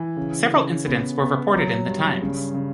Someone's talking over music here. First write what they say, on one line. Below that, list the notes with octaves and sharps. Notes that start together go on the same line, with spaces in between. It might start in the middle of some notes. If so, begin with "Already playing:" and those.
Several incidents were reported in "The Times".
Already playing: E3
C#3
C#3
B3
B3
F#3
G2
C#3
C#3